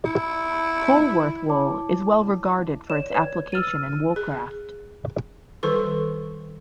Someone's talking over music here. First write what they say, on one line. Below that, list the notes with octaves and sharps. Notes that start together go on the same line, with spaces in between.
Polwarth wool is well regarded for its application in woolcraft.
E4
E4 C#5 A5 D6
C#5 D5 E7
B4 C#5 G#6
E6 F6 A6 D#7
G#4
D#3 G3 A4 B4 C#6